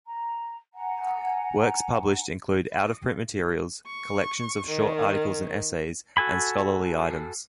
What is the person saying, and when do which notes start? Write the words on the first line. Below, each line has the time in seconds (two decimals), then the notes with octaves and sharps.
Works published include out-of-print materials, collections of short articles and essays, and scholarly items.
0.06 A#5
0.74 F#5 G#5 A#5
3.87 C#6
4.67 D#3
6.17 F#4 A4 G#5 B5